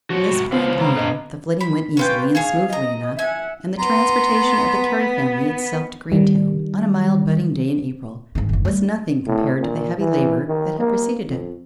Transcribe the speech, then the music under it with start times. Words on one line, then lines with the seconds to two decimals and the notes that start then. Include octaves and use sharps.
From this point on, the flitting went easily and smoothly enough, and the transportation of the Carey family itself to Greentown, on a mild budding day in April, was nothing compared to the heavy labor that had preceded it.
0.10 F3 F#4 C#5
0.30 G#2 C3 B5
0.52 C#2 E3 F4 C5 F5 B5 C7
0.80 B3 A#5
0.96 D4 A4 B4 D#5 B5
1.61 B5
1.97 C#4 F4 B4 G5
2.35 G#4 C#5 F5 G#5
2.73 D#5 A#5
3.19 E5 F#5 G#5
3.79 B3 A#5 C6
6.12 D#3 G3
8.35 G#2 D#3
8.49 F#1 D2
8.65 G3 A3
9.26 A2
9.59 A#2
9.98 E3
10.47 D#3
10.79 A#3
11.28 F2